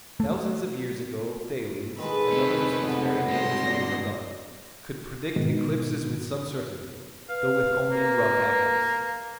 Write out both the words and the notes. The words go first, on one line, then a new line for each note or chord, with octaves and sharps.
Thousands of years ago, Thales, and others whose very names we have forgotten, could predict eclipses with some certainty, though with only rough accuracy.
A3
D#3 G#3 A4 B4
C3 A3
D3 F#3 B3
G2 C3 G#3 C6 A#6
D5
G#2 B2 D#3
B4 F5
A#3